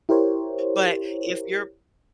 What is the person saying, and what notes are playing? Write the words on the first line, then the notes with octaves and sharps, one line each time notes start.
but if you're
E4 G4 A#4 C5 C#5